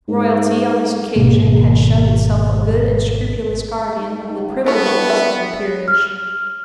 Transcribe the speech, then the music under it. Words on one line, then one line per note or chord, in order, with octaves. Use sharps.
Royalty on this occasion had shown itself a good and scrupulous guardian of the privileges of the peerage.
G#2
G#1 B2 A#3
D#4
C#2
G2 B3 E4 C#5
E5
F6